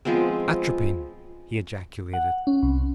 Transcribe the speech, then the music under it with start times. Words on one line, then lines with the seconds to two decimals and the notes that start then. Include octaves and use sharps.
"Atropin!" he ejaculated.
0.05 F3 G#3 B3 C4
2.14 F#5
2.47 C#4
2.63 C2